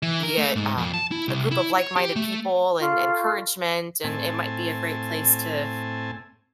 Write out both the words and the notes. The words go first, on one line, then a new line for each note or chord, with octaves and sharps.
yet, um, a group of like-minded people and encouragement and it might be a great place to
E3
A#4
A3
G#2
F2
A5
E4
C2
E4
C#5
G4
A3
F4 A4 C#6
A2 C4 G#5 A5